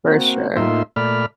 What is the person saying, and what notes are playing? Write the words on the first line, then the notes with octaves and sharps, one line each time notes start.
For sure.
A#3 C4 F#4
A2 A#3 D#4 F4 E5 C6
A#2 A3 D5 B5 F6